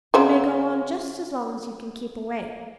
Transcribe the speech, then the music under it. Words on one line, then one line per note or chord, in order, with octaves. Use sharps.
You may go on just as long as you can keep awake.
C#3 C4 F#4